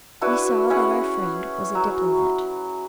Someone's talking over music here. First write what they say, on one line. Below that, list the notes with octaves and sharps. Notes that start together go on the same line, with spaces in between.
We saw that our friend was a diplomat.
D4 E4 F#4 B4
C#4 E4 G#4 F#5
F#3